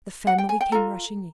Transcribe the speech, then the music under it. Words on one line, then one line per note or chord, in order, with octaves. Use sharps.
The family came rushing in.
F#5
G5
G#5
G5
F4 A4 A#5